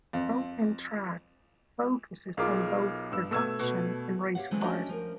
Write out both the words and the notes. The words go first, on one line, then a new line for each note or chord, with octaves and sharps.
"Road and Track" focuses on both production and race cars.
F2
B1 F4 G#4 A#4 F5 D6
G2 E6
B2 A3 E6 G#6
B2
G4 C#5 D#5 F5 F#5
D3 E3 F#3 G#3 A3 C4
A3 C#4 D4 F#4 C#5 D#5
F3 A#4